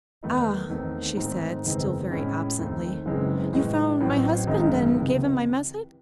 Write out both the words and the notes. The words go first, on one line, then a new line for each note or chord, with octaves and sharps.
"Ah!" she said, still very absently, "you found my husband, and gave him my message?"
E2 D#3 A3 D#4
E2 D#3 A3 C4 D#4
G#2 D#3 A3 C4
F#1 E2 D#3 G#3 C4
A2 G#3 C#4 E4
D#2 D#3 A3 C4
F#1 F#2 E3 G#3 C4
A2 E3 G#3
A1 A2 F#3 C4
G#1 F#2 D#3 G#3 D#4
C#2 C3 E3